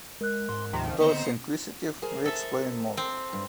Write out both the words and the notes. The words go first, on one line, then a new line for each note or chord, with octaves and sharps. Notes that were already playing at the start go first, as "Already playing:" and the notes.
To those inquisitive, we explain more.
G#3 A#4 F#6
G#2 C6
D2 C3 D#3 F3
D3 B3 C4 C5 D#5 A#5 C#7
G#4 A#4 C5
A4 E5
C4
G2